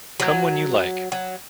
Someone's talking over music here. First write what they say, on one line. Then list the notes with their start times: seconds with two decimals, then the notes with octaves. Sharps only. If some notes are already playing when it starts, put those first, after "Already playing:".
Come when you like.
0.20 F#3
1.12 F#3